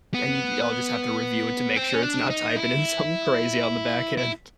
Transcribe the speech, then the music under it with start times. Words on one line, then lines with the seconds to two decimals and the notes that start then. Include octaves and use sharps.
Then you'd y'all just have to review it to make sure it's not typing in some crazy on the back end.
0.14 B3
1.76 C4
1.93 C#4
2.02 D4
2.30 D#4
2.56 E4
4.17 E4